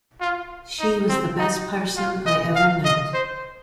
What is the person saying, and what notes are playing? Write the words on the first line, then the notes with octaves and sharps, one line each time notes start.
She was the best person I ever met.
F4
D#4
C4
D#4
F4
D#5
F5
D#5
C5